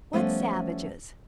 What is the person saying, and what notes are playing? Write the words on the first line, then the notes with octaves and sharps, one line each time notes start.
"What savages?"
F3 G3 A3 B3 C#4